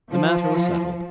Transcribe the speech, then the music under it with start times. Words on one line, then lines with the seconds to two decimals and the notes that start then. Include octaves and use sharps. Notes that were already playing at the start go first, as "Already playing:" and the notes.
The matter was settled.
0.11 F3